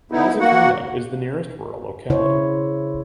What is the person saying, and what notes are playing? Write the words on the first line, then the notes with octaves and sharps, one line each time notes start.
Mazikino is the nearest rural locality.
D3 B3 D#4 E4
A#3 F#4 F#5
C#3 E4 C5 C#5